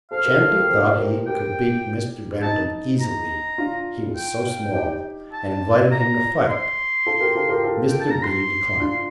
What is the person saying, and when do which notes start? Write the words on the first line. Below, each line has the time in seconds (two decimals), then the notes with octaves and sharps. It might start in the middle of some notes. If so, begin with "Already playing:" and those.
Chanty thought he could beat Mr. Bantam easily, he was so small, and invited him to fight. Mr. B. declined.
0.11 A4 C5 F5
0.25 G4 A#4
0.39 F4 A4
0.55 G4 A#4
0.69 A4 C5
0.83 A4 C5
0.97 G4 A#4
1.26 G4 A#4 G5
2.42 D#4 A5
3.00 A#5
3.58 D4 F4
4.17 G5
4.75 D#4 G4
5.33 A5
5.91 A#5
6.49 C6
7.06 F4 A4
7.21 G4 A#4
7.35 F4 A4
7.50 G4 A#4
7.64 F4 A4
7.89 G5
8.01 A5
8.11 A#5
8.23 C6
8.80 D4 F4